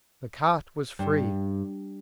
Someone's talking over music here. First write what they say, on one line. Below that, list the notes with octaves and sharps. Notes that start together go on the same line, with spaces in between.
The cart was free.
G2